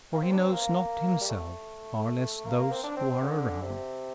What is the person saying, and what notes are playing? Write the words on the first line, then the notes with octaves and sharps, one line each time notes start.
For he knows not himself--far less those who are around.
A#3
C4
D4
C4
A#3
G3
A3
A#3
A#3
C4
D4
C4
C4
D3
C3